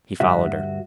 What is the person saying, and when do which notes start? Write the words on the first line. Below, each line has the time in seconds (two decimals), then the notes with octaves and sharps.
He followed her.
0.20 D2 G2 F#4 E5